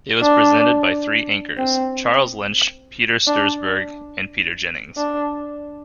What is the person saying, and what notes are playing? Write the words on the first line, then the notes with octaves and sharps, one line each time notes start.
It was presented by three anchors: Charles Lynch, Peter Stursberg and Peter Jennings.
D4
C4
D4
D4